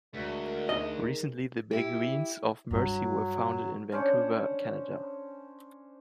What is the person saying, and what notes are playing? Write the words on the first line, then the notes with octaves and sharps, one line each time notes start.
Recently, the Beguines of Mercy were founded in Vancouver, Canada.
D2 G#3 F#4 A#4
D#3 G#4 A#4 D#5
E4 G4
G2 F#3
C#4 D4 C5 F#5